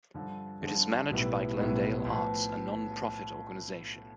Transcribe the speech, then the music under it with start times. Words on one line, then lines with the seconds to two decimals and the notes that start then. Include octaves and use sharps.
It is managed by Glendale Arts, a non-profit organization.
0.14 G2 D3 F3
0.62 G2 D3 F3
1.10 B1 A2 G3 B3 E4
1.57 B1 A2 G3 B3 E4
2.05 A2 F3 B3